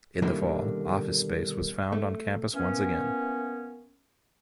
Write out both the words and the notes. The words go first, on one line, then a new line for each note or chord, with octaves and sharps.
In the fall, office space was found on campus once again.
B2 D3 D#3 G3 A#3 E4
A3
E3 A#3 B3 C#4